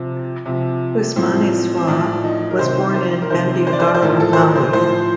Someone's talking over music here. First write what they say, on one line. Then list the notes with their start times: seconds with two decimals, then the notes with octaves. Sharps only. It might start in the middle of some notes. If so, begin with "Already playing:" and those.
Ousmane Sy was born in Bandiagara, Mali.
Already playing: C3 F3
0.46 C3 F3
1.16 A2 F3 C4
1.77 C4
1.87 A2 F3 D4
2.24 D#4
2.51 A#4
2.59 C3 D#3 C5
2.94 C5
3.22 A#4
3.30 C3 D#3 C5
3.67 C5
3.73 D5
3.80 C5
3.88 D5
3.94 C5
4.02 A2 F3 A#4
4.20 A4
4.33 C5
4.38 A#4
4.56 C5
4.73 A2 F3 C5